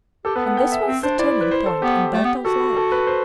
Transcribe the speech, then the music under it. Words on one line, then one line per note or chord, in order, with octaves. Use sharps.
And this was the turning-point in Bertel's life.
G4 A4
B3 B4
B3 F#5
G5
E5
C4
D4 C5
E4 D5
B4
C5
A4
B3 G4
A3
B3
F#4 A4
A4
B4
C5